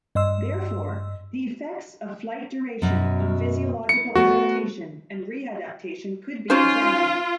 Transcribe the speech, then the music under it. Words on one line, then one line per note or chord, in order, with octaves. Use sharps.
Therefore, the effects of flight duration on physiological adaptation and readaptation could be examined.
G2 D#5 C6 E6
F#2 B2
E4 C#7
A3 B3 F#4 C5
C#4 D#4 F4 C5